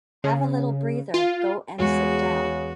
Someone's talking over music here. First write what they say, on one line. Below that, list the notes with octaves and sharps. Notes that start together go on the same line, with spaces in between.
Have a little breather, go and sit down.
C#3
F4
E2 C#3 G#3 F#4